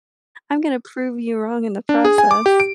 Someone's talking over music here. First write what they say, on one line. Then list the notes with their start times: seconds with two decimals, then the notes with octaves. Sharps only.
I'm gonna prove you wrong in the process."
1.89 D4
2.05 G#4
2.18 G#5
2.31 D6
2.46 G4
2.60 D7